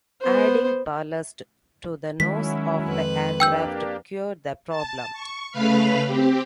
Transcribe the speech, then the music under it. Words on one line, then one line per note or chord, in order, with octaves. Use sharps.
Adding ballast to the nose of the aircraft cured the problem.
B3 C5
D#3 F#3 G#3 C#4 E4 B6
F2 B4
A#3 D4 G4 G5 E6 G6
A5
C#6
C#3 A3 B4 F5 B5 F6
C4 G4